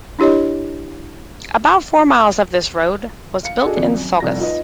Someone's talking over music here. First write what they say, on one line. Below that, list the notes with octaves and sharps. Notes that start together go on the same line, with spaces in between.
About four miles of this road was built in Saugus.
D4 E4 G4 C#5 D#5
F5 C#7
D4 F#4 G#4 A4 D#5
F2 D#3 D5
F#2
F1 C2 A#6
D#4 F4 B4 D#5